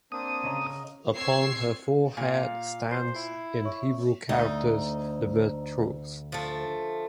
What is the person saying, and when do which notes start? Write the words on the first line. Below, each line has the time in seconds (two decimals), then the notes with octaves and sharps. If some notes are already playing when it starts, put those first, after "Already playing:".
Upon her forehead stands, in Hebrew characters, the word truth.
0.12 A#3 C4 D4 D#6
0.44 C#3 C#5 D#5 A#5
1.15 C4 C#5 E6 G#6 C7
2.17 A#2 F5
2.91 C5 C7
3.16 E4
3.65 C#5 E5 C#6
4.29 D2 D#4
6.32 F3 A3